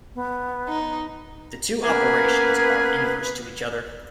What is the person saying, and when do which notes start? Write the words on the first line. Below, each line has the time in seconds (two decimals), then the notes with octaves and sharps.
The two operations are inverse to each other.
0.15 B3
0.68 D#4
1.83 A#3 B3 C#4 G#4 B4